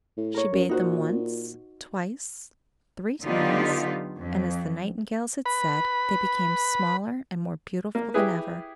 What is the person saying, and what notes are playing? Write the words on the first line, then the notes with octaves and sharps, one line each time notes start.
She bathed them once, twice, three times, and, as the nightingales had said, they became smaller and more beautiful than ever.
A2
A#4 C#5
F#2
A#2 D#4 F#4 C5
D3 F#3 B3 D#4 F4 G4
F2
B4 B5
A#3
E4 G4 G#4 B4